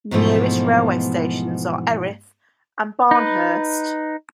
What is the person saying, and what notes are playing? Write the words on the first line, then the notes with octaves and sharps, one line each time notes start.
Nearest Railway stations are Erith and Barnehurst.
G#2 B2 E3 F3 A3
D#4 B4